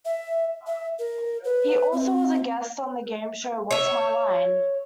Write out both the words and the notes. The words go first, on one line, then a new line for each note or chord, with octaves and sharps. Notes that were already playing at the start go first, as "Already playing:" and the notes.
He also was a guest on the game show What's My Line?
E5
E5
A#4
B4
C4
C#5 E5